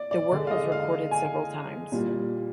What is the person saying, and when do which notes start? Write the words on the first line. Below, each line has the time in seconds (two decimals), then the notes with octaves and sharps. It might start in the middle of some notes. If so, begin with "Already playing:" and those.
The work was recorded several times.
Already playing: D5
0.11 D5
0.31 D3 G#3 D5
0.47 F5
0.51 D#5
0.72 F5
1.11 G#5
1.92 A#2 G3